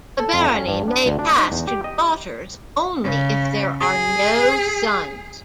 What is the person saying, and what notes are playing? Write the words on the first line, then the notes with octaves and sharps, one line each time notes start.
The barony may pass to daughters only if there are no sons.
A4
F2
C#4
G2
D4
D2
D4
D#4
E2
G4
D#5
C#3
G#4